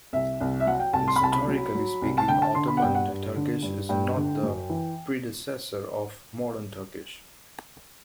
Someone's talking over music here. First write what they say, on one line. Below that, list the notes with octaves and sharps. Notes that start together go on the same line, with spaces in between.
Historically speaking, Ottoman Turkish is not the predecessor of modern Turkish.
C2 E5
C2
E5
F#3 F#5
G5
C2 A5
C6
B5
C2 A5
B5
F#3
F#3
C2
A5
D3 G5
A5
D3 C6
B5
F#5
G2 G5
F#5
G2
D3
G2
G2 G5
D3
F#2
E3